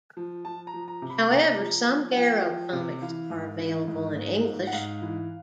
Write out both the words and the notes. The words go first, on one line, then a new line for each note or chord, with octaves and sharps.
However, some "Garo" comics are available in English.
F3
F3 A5
A#5
F3
A#5
C3
B5
C3 A#5
F3
F3
F#5
F3 G5
F3
C3
E3 F5
G#2
E3
G#2
G#2
G#2
F#5
G#2 F5
E3